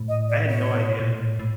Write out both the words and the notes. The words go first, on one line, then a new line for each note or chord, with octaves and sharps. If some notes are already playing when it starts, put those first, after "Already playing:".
I had no idea.
Already playing: A2
D#5
D5
C#5
B2
A#2
A2
A2